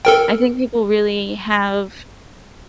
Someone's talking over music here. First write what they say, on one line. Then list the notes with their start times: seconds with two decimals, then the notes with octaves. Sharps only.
I think people really have
0.05 A4 A#4 G5